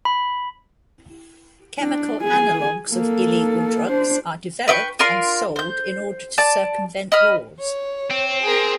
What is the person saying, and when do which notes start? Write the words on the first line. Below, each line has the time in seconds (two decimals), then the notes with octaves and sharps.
Chemical analogues of illegal drugs are developed and sold in order to circumvent laws.
0.05 B5
1.79 D4
2.23 G#4 G#5
2.91 A#3 A4
3.89 D4 C5
4.68 B4 E5 G5 C#6
4.99 F4 A#4 D5 C6
5.56 C5 G6
6.38 D5 A5
7.12 D#5 B5 F6
7.60 C#5
8.10 C4
8.42 G#4 A#4